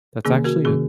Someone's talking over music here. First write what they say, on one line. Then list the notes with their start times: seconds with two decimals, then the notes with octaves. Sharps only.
that's actually a
0.25 C3 D#3 A#3 C#4 G#4
0.44 F#4 A#4
0.65 C3 D#3 A#3 C#4 G#4